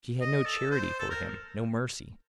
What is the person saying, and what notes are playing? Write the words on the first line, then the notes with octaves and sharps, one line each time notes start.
She had no charity for him, no mercy.
D#5
A4
C5
A4
A#4